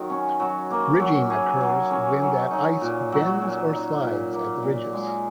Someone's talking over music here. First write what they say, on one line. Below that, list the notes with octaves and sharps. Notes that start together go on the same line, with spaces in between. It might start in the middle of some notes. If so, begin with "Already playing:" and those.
Ridging occurs when that ice bends or slides at the ridges.
Already playing: D#3 F#3 F#4
C#4
F#3
A#3
F#3
G#4
F#3
C#4
F#3
D#4
A#2
F#3
A#2
D#4
A#2
A#3
A#2
G#3